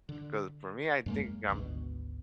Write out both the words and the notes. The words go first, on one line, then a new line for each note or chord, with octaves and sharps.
'Cause for me, I think I'm
D3
F#2 G#3 A#3
G#1 D2 B2